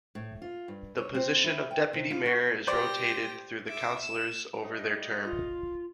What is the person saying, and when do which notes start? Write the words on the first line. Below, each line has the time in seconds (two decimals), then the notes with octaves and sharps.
The position of deputy mayor is rotated through the councillors over their term.
0.15 A2
0.42 F4
0.68 G2
0.98 C#5
1.14 C4
1.44 E4
1.71 G5
1.93 C3
2.10 F4
2.26 F#4
2.67 G4 C5 D5 A#6
3.67 E5 D6
3.99 E7
4.63 G3 A3 D#5
5.25 F4